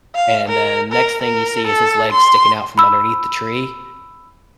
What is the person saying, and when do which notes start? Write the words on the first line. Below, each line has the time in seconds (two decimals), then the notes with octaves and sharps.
and then next thing you see is his legs sticking out from underneath the tree,
0.15 F5
0.48 A#4
0.92 A#4
1.22 A#4
1.67 A4
2.11 C6
2.78 B5 E6